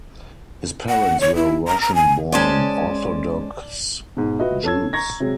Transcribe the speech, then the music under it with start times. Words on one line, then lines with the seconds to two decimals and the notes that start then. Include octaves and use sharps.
His parents were Russian-born Orthodox Jews.
0.89 F#5
1.21 C#5
1.35 E4
1.67 A#5
1.81 A#5
1.95 G#5
2.32 G#3 C#4 C5 D5 G#5 A5
4.17 G#2 B2
4.39 F4 F#4 B4 D#5 E5
4.63 A4 C#5 A5 E6 G#6
4.93 A#5 C#6 G#6 A#6
5.20 C3 F#3 G#3